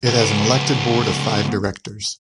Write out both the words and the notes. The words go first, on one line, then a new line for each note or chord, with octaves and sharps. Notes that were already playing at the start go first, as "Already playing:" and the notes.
It has an elected board of five directors.
C#2 B3